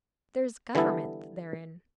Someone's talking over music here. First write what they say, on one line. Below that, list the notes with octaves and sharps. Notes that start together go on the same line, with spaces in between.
There is government therein.
D3 E3 G3 B3 E4 A4